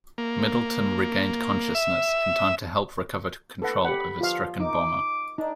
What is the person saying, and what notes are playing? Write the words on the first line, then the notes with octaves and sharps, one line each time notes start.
Middleton regained consciousness in time to help recover control of his stricken bomber.
A#3
E5
A4 B4 F#5
G4 F#5 B5
G2 D3 F3 F4 F5
D#4 D6
D4 D#4